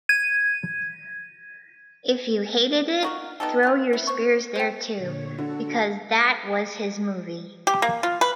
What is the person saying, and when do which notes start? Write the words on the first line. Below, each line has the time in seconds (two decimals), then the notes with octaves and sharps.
If you hated it, throw your spears there too, because that was his movie.
0.09 G#6 D#7
3.03 D#4 F#4 A#4
3.40 B3 D#4 G4 A4
3.63 B3 C#4 F4
3.93 E4
4.07 C5 C#6
4.56 C5 G5
4.97 A#2 D3 C#5
5.38 D3 F#4 A4
7.67 G4
7.82 A#3
8.03 F4
8.21 B4